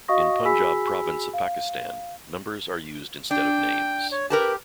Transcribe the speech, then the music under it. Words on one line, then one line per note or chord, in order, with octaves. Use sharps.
In the Punjab province of Pakistan, numbers are used instead of names.
F#4 D#5 F5 C#6 D#6 A#6
F#4 G#4 G#5 B5 E6 B6
F5
D4 G5
C#5
G4 A#4 B4 A5